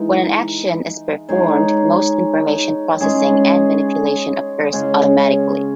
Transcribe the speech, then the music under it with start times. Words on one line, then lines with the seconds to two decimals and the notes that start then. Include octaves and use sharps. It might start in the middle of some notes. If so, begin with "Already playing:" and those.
When an action is performed, most information processing and manipulation occurs automatically.
Already playing: E3 G#3 D#4
1.29 G#3 D#4 G#4 C#5
3.01 G#3 C#4 G#4
4.73 C#3 G#3 C#4 G#4